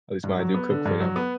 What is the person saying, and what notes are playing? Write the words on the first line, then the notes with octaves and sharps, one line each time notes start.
at least when I do cook for them.
G2
F#3
B3
D3
G2
F#3
B3